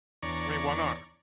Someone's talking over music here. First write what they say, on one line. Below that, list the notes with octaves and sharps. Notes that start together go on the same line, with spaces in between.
I mean, why not?
E2 D4 C#5 D5 A#5 C#6